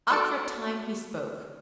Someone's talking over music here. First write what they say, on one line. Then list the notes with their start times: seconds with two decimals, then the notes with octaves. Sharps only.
After a time he spoke.
0.10 F#4 A4 D5